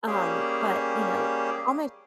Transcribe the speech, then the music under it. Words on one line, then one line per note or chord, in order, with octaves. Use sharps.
Um, but, you know, all my
G3 A#3 C#4 G4 G#4